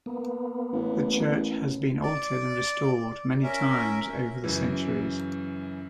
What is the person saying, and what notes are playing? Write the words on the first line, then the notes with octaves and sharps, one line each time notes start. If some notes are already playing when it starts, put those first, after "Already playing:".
The church has been altered and restored many times over the centuries.
A#3 B3
A1
D5
C#4 A#4 E5
F#2 C#3 E3